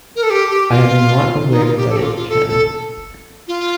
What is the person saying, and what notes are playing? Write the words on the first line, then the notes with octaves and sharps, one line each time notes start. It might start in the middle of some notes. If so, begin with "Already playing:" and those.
I am not aware that it can.
A#4
A4
G4
G4
F4
D#4
F4
G4
A4
G4
F4
F4
A4
A4
F4